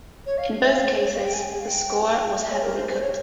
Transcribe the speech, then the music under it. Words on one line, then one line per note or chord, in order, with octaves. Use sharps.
In both cases, the score was heavily cut.
C#5
F5
E5
F5
C5
C#5
F5
G5
G#5
F5
G5
E5
C#5
A#4
C5
C5
C#5